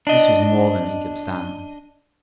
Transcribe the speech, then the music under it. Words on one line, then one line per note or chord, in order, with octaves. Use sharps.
This was more than he could stand.
D4 D#5